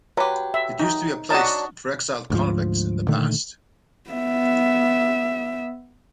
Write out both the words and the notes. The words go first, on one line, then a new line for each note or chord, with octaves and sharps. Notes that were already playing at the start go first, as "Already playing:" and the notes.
It used to be a place for exiled convicts in the past.
F#3 G4 B4
E5
D#4
F#3 D4 F#4 D#5 A5
D2 G#2 F3
A#2 D3 D#3 A3
B3 E5